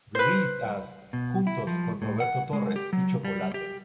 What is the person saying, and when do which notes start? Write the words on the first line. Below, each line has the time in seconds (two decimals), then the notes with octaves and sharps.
Released as "Juntos Con Roberto Torres Y Chocolate".
0.15 B4 C5
1.13 B2
1.47 E4
1.67 F3
2.02 A2
2.20 F#5
2.53 G#3
2.76 G4
2.93 F#3
3.25 G3
3.54 G4